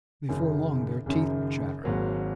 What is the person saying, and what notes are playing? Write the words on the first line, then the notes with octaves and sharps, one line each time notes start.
Before long their teeth were chattering.
F#1 F#2 D#3
F#1 F#2 D#3
G#1 G#2 F#3 A#3